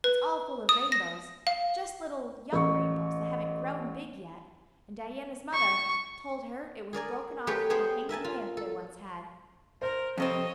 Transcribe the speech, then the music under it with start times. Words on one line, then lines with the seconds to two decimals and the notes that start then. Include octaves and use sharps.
It's all full of rainbows--just little young rainbows that haven't grown big yet--and Diana's mother told her it was broken off a hanging lamp they once had.
0.04 B4
0.69 D#6
0.92 A#6
1.47 F5
2.53 A1 C#6
5.54 C#6
6.93 G#4 A#4 D5 G#5
7.47 F#3 A3 G4 G#4 B4 C#5
7.70 B3 G#4 C5 G5
8.09 A#4 E5 G#5 A5
8.24 F4
8.57 A4
9.82 A#4 C5
10.18 F2 C3 C4 C#5 D#5